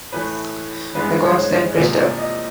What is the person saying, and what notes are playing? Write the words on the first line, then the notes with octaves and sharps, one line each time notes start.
The gods then praised her.
A2 E3 A3 B4
G2 E3 G#3 B3 B4
C#5
C5
C#5
C#5
E2 C3 F3 A#3 D5
D5
D#5